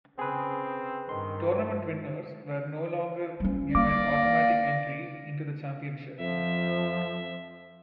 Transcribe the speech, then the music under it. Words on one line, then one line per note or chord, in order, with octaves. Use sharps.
Tournament winners were no longer given automatic entry into the championship.
C#3 C4 G#4 B4
G2 D#3 C6
G3 C#4
A#3 D5 F5 D6 A#6
F2 F3 E5